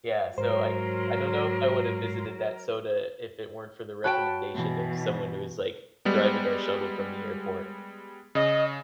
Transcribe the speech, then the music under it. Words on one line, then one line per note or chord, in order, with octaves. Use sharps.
Yeah, so I I don't know if I would have visited that soda if it weren't for the recommendation of someone who is, like, driving our shuttle from the airport.
G#2 F#3 A#4 C5 C6
F#4 C#5 G5 A5 B5 F#6
B2 E3
G3 G#3 B3
C#3 D#5